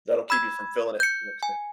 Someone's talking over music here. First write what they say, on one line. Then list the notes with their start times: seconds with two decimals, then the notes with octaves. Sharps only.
That'll keep you from filling it. Mixed in.
0.30 B5 E6 G#6
1.00 G6 C#7
1.43 G#5